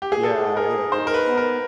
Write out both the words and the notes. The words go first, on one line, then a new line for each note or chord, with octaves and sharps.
Yeah, yeah, it is.
G4
G#4
G#4 A4
G#4 A#4
D#4 C5
A#4
B4
B3
A#4